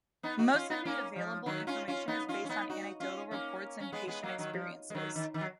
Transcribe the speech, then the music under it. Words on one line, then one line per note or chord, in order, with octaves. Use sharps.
Most of the available information is based on anecdotal reports and patient experiences.
B3 D#4
D#4 F#4
C#4 F4
B3 D#4
A#3 C#4
F3
D#3 F#3
C#4 F4
C#4 F4
B3 D#4
C#4 F4
C#4
B3 D#4
D#4 F#4
C#4 F4
A#3 C#4
C#4
G#3 B3
G#3 B3
F#3 A#3
D#3 F#3
F3
G#3
D#3 F#3
D#3
D#3
F#3